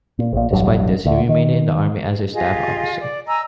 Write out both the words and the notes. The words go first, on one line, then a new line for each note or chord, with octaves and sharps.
Despite this, he remained in the army as a staff officer.
A#2
A#1 A#2
E1 A1 G2 F#3
D2
D#3
F4 G4 G#4 D#5
D5
D#5 G#5 A#5 E6